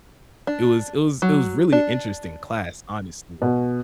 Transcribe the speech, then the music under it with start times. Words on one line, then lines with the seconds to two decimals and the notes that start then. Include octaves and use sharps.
it was it was it was really a interesting class, honestly.
0.47 D4
1.22 F#3
1.72 D4
3.42 B2